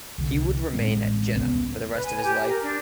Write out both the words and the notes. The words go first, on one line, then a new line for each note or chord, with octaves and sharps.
He would remain at Jena for the rest of his life.
C2 D3
A1 A2 G#3 C4
D#1 C2 C#3 B3
B4
G#5
G4
A#4
D4